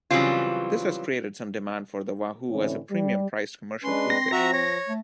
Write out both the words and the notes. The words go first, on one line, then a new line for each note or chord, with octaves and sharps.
This has created some demand for the wahoo as a premium-priced commercial food fish.
C#3 E3 F#3 G3 C4 F4
A2 D3 E3 C4 C#4
G3
G#3 C#4 D4 B4 C6
C4 A#6
F3 F#4 E5 A#5
C#5
A3